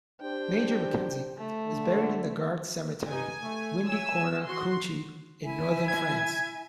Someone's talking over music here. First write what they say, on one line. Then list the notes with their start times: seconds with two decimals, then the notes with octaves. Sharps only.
Major Mackenzie is buried in the Guards Cemetery, Windy Corner, Cuinchy, in Northern France.
0.21 D4 G4 C5 G5
1.38 A3
1.66 D3
3.09 G2 D#4 G#5
3.41 A3
3.89 C#5 E5 G#5 E6
4.48 F#4 C6
5.44 E4 E5 G#5
5.88 G#6